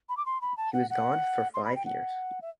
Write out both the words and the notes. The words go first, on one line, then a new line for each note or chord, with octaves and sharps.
He was gone for five years.
B5
D6
C6
B5
A5
F#5
F#5
C6
B5
G5
F#5
E5